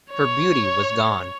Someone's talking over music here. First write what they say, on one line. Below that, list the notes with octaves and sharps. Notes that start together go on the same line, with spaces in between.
Her beauty was gone.
C#5